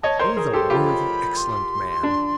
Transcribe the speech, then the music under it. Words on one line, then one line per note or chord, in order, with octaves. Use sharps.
Oh, the worthy, excellent man!
C#5 D#5 A5
A#4 C5 C6
G#4 A#4
G4 A4 C6
F4 G4 B5
C6
D4